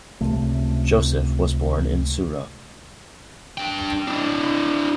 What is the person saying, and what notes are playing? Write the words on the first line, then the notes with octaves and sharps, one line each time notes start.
Joseph was born in Sura.
C#2 C3 A3
D4 G5
D4 E4